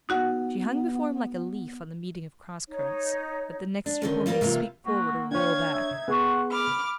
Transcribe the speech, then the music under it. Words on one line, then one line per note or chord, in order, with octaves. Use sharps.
She hung before him like a leaf on the meeting of cross-currents, that the next ripple may sweep forward or whirl back.
B3 D#4 F#4 F#5
D#4 C#5
D4
F#2 D3 D#3
G3 A#3 E4 F4 A#4
C3 E3 A#3 F4
A#3 C4 F#4
D4 C#5 F5 G5 G#6
D#4 E5
B3 G#4 F#5 C6 C#6
B5 D6 F6